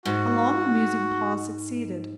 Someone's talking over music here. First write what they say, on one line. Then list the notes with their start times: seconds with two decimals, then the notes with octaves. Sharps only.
A long and musing pause succeeded.
0.05 G#2 F#4